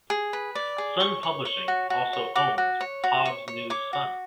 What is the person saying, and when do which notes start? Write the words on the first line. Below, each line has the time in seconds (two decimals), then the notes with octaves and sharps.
Sun Publishing also owns the Hobbs News-Sun.
0.10 G#4
0.33 B4
0.55 D5
0.78 G#4
1.00 C#5 C#6
1.23 C#5
1.45 C#5
1.68 F#4
1.90 F#4
2.13 C#5
2.35 F#4 D6
2.58 F#4
2.81 C#5
3.04 F#4
3.25 C#5
3.48 C#5
3.70 C#5 D6
3.93 F#4